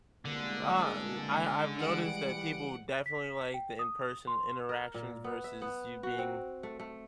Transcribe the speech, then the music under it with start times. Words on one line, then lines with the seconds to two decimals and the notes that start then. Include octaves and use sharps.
Uh, n I I've noticed that people definitely like the in-person interactions versus you being
0.25 C2 B2 D3 G#3 A#3 G#4
1.79 E3 G3 F#5 D7
3.06 B6
3.54 G5
3.79 D#6
4.27 C6
4.69 A#4
4.94 A#2
5.24 B3
5.44 E5
5.62 B3
6.03 F#4
6.18 C4
6.63 A3
6.80 A3